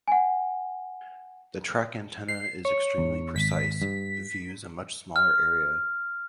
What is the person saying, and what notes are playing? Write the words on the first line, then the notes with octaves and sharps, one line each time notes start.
The track antenna is extremely precise, but views a much smaller area.
F#5 G#5
C7
C#5
E2
G#1 B6
G2
F6